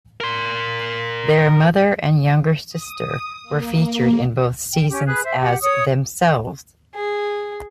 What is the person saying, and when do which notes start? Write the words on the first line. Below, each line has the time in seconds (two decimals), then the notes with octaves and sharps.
Their mother and younger sister were featured in both seasons as themselves.
0.20 A#4 C6
2.69 D#6
3.43 A#3
4.74 G5
4.90 C#4 G4
5.07 G#4 B4 F#6
5.24 C5 E5
5.41 G4 F#5
5.61 C#5 D#6
6.94 G#4